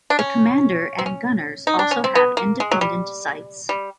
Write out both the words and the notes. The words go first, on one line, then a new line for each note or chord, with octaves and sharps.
The commander and gunners also have independent sights.
D4
C#4
C4
C#4
D#4
D4
C#4
C4
B3
A#3
G#3
F#3
G3
G3